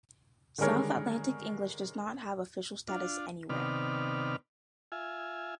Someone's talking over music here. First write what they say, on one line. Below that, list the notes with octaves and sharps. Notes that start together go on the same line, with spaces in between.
South Atlantic English does not have official status anywhere.
D3 D#3 G3 G#3 A#4 C#5
D4 F4
C3 D#3 B3 D5 F6
F4 E5 G#5